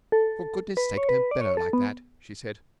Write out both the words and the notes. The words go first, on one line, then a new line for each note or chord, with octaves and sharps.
'For goodness' sake don't bellow like that!' she said.
A4
B4
C#5
B4
D5
C#5
A4
B3